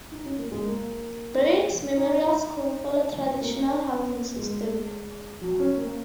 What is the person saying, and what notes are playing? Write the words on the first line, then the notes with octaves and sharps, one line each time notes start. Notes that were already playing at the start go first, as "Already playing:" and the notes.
Breeks Memorial School follow traditional housing system.
D#4
C#4
A#3
G#3
A#3
D#4
D#4
C#4
A#3
C#4
G#3
F#3
C#4
A#3